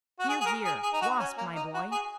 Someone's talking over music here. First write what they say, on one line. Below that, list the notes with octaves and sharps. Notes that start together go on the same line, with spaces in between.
"Here, here, Wasp, my boy."
F#4
G#4
G#4
A#4
G#4
G#4
D#4
F#4
C#4
A#3
D#4
F#4
G#4